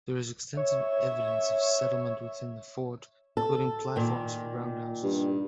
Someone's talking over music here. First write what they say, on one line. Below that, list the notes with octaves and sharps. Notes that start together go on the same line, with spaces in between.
There is extensive evidence of settlement within the fort, including platforms for roundhouses.
C#5 E5
A4
A#2 D#3
G2